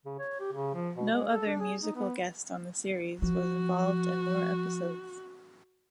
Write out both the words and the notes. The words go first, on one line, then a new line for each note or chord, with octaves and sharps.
No other musical guest on the series was involved in more episodes.
C#3
C#5
G4
C#3
F3
B2
G#3
A4
D4
G#4
D#4
B3
F3 F#4